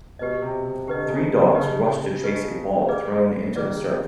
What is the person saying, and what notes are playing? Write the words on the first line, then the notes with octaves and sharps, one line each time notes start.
Three dogs rush to chase a ball thrown into the surf.
B2 G4 B4 D#5
C3
C3
D3 G4 B4 D#5
C3
C#3
D3
D3
C#3 G4 B4 D#5
G4 B4 D#5
G#4 B4 D5
D#3 G#4 B4 D5